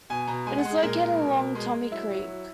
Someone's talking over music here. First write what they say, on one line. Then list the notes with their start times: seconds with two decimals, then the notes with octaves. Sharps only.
It is located along Tommy Creek.
0.10 B2 G#5
0.28 B2 A#5
0.46 G#3 G#5
0.58 F#5
0.65 G#3
0.71 G#4
0.82 A#2 A#4
1.01 G#3
1.19 B2
1.37 B2
1.55 G#3
1.74 G#3
1.91 F#3 E4
2.10 F#3
2.28 F#3